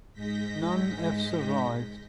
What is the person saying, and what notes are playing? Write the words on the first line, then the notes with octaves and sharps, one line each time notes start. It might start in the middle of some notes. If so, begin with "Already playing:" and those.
None have survived.
G#2 G#3 G6 A#6 B6